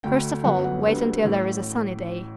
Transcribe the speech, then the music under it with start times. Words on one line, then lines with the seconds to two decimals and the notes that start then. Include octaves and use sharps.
First of all wait until there is a sunny day.
0.04 D2 D3 A3 G5
0.44 G1 F#2 F#3 B3 F#5
0.64 F#5
0.84 D2 D3 G3 B3
1.25 A1 A2 E3